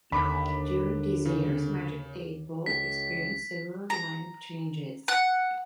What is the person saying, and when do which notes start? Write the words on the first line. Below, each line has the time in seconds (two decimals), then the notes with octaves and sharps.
During these years Magic Eight Ball experienced several lineup changes.
0.12 D#2 D3 D4 B5 D6 B6
1.25 C#3
2.66 C#2 B6
3.90 A#5
5.08 F#5